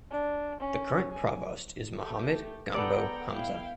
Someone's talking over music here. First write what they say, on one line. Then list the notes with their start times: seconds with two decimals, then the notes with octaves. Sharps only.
The current Provost is Mohammed Gambo Hamza.
0.11 D4
0.60 C#4
1.11 G#5
1.95 A3 G4
2.74 B3 A4 D5 F#5 G5 A#5
3.30 E4 F5 G5